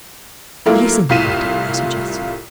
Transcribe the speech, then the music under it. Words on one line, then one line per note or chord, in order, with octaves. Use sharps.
"Listen, Kennedy!" I suggested.
F#3 A3 A#3 E4 F4
C2 A2 F4 B6 D#7 E7